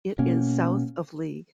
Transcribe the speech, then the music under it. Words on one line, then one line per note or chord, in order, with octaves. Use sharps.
It is south of Lee.
B2 A#3 C#4